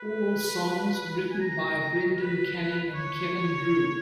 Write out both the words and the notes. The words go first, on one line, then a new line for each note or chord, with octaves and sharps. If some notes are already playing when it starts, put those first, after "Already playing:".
All songs written by Brendan Canning and Kevin Drew.
Already playing: B4
G#5
A#5
B4
C#5